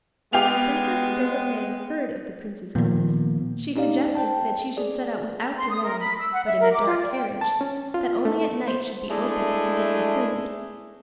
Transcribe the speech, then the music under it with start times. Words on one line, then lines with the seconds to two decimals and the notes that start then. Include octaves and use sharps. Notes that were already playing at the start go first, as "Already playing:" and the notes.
When Princess Desiree heard of the Prince's illness, she suggested that she should set out without delay, but in a dark carriage, that only at night should be opened to give her food.
0.33 G#3 B3 G4 F5 F7
2.75 A#2 D#3 F3 A#3 B3
3.76 C#4 D#4 G4 D5 F5
4.15 C5 G5 A5
4.77 G#4 D5
5.58 C6
5.70 D#6
5.84 A#4
5.99 B5
6.19 E6
6.32 F#5
6.46 E5
6.60 A#4
6.71 D6
6.86 F4
6.99 D5
7.11 G5
7.41 A5
7.61 C#4
7.94 F4
8.25 A3
8.68 C5
9.10 G#3 A3 D4 E4 G#4